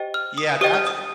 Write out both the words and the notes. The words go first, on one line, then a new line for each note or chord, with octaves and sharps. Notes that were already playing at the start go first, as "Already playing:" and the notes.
Yeah, that's, eh
Already playing: G4 C5 D#5 G5
F6
D#6
G4 C5 D#5 G5 D#6
F6
D#6